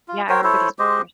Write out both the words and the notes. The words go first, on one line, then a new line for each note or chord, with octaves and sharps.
Yeah, I remember these pictures.
F4
A#4 C5 C#5 G5
E4 A4 C5 C#5
G#3 G4 C5 D#5